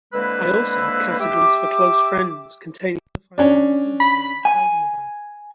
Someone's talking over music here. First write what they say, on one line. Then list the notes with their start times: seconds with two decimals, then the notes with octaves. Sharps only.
I also have categories for close friends containing stuff I want to do with them or tell them about.
0.13 D3 G#3 A#3 C4 E4 B4
1.20 G4 E5 D6
3.38 C#4 D4
4.00 B5
4.45 G#5